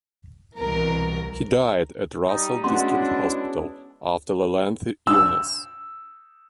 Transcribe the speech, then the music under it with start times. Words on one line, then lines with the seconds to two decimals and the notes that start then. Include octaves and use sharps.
He died at Russell District Hospital after a lengthy illness.
0.57 C2 B2 E3 A#4
2.26 G3 D#4
2.64 G#3 B3 C#4 D4 E4 F#4 C6
5.07 E6